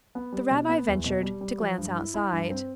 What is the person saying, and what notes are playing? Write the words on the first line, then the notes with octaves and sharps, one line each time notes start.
The rabbi ventured to glance outside.
B3
G3
B2
B3
E2
B2
G3
G3
F3
G2
E4
E4
G2
C4